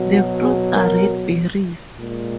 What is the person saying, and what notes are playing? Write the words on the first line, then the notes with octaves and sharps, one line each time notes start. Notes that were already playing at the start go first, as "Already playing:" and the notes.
The fruits are red berries.
Already playing: B2 F#3
F#4
G#4
A#4
A#2 G#3